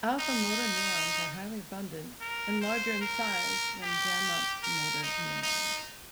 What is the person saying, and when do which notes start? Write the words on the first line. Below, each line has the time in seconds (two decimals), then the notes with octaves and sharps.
Alpha motor neurons are highly abundant and larger in size than gamma motor neurons.
0.20 D#4
2.21 A#4
2.61 C5
3.01 A#4
3.82 G4
4.63 A#4
5.03 D#4
5.43 D#4